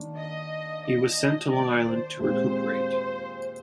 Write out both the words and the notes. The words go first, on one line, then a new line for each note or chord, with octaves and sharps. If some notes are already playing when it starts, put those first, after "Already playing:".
He was sent to Long Island to recuperate.
Already playing: D#3 A#3 D4
D#5
D#5
D5
C5
A#2 G#3 C4 G4 C5